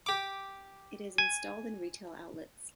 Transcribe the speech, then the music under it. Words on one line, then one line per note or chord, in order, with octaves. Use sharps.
It is installed in retail outlets.
G4 D6
G#5